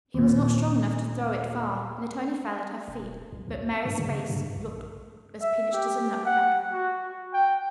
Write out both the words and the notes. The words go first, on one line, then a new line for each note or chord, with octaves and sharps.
He was not strong enough to throw it far and it only fell at her feet, but Mary's face looked as pinched as a nutcracker.
D#2 A#2
E1
B1
D2
G2
C#3
G2
A#1
E5
G4
F#5
F#4
G5